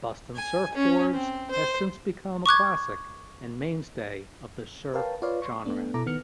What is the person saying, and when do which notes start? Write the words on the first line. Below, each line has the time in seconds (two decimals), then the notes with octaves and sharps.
"Bustin' Surfboards" has since become a classic and mainstay of the surf genre.
0.35 G#5
0.74 C#4
1.13 C4
1.51 C5
2.46 C#6 D6 F#6 G#6
4.94 A#4 B4 C#5 F5 G5 A5
5.22 F4 B4 C#5 D5 F5
5.42 C6 C#6
5.65 A3 B3 D4
5.94 B2 E4 A4 A#5 D6
6.06 D#3 B3 F6 C#7